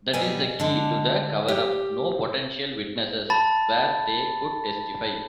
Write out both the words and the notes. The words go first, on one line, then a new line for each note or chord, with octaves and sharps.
That is the key to the cover-up: no potential witnesses where they could testify.
B2 F#3 G3 B3 G5 G#5
D3 G#3 D4
G4
A5 B5 A6